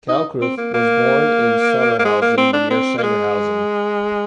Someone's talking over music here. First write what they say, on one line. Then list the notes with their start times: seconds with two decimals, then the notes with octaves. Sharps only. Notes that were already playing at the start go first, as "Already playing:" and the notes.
Kalkreuth was born in Sotterhausen near Sangerhausen.
0.09 D#4
0.41 C4
0.57 A#3
0.74 A#3
1.99 A#3
2.05 G#3
2.21 A#3
2.37 C4
2.53 D4
2.70 C4
2.98 A#3
3.03 G#3